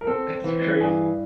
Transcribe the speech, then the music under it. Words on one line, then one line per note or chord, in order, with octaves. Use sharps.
That's crazy.
A#4
C4 A4
E3
G2 G#4